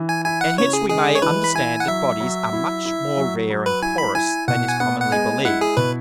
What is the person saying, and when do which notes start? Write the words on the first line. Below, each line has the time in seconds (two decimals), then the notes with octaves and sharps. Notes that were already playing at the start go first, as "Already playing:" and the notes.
And hence we may understand that Bodies are much more rare and porous than is commonly believed.
Already playing: E3
0.09 G#5
0.25 E4 G#5
0.41 F#5
0.58 C#3 C#5
0.73 G#4
0.90 G#3 G#4
1.15 C#5
1.22 E3 B4
1.44 B5
1.55 E4 G#5
1.80 F#5
1.88 F#3 E5
2.20 F#3
2.53 E4
2.85 E4
3.17 F#3
3.50 F#3
3.66 B4
3.82 E4 G#5
3.98 B5
4.15 E4 G#5
4.48 B2 F#5
4.69 G#5
4.80 B3 F#5
5.00 F#5
5.12 G#3 G#5
5.45 E4 F#5
5.61 G#4
5.77 B2 B4